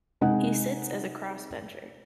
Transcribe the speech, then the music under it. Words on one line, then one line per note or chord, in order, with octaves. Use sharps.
He sits as a Crossbencher.
C3 G#3 D#4 F#5 G#5